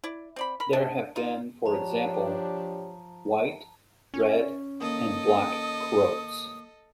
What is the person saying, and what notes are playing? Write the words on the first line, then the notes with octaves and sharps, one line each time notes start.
There have been, for example, White, Red and Black Croats.
E4 D5
C4 D5 B5
A#4 B5
B2 D4 D#5 A5
D#4 F4
F3 D4 G4 C#5 A5 A#5
C#4
D#2 A4 D#5 D#6